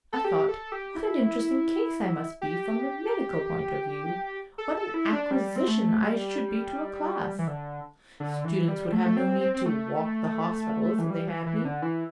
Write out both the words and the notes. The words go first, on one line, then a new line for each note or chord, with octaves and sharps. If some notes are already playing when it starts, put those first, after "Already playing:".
I thought what an interesting case I must be from a medical point of view, what an acquisition I should be to a class! Students would have no need to "walk the hospitals," if they had me.
A4
G4
A4
G4
E4
G4
A4
A4
E4
D4
G3
C4
A3
G3
E3
D3
D3
E3
G3
A3
A3
C4
C4
C4
A3
E3
G3
E3
E3
D3
E3